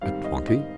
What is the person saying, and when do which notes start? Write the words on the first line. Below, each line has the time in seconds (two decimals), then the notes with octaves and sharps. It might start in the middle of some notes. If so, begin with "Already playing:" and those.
"At twenty?"
0.01 G#2 D#3 G3 C4 F5
0.24 D#5
0.48 D#5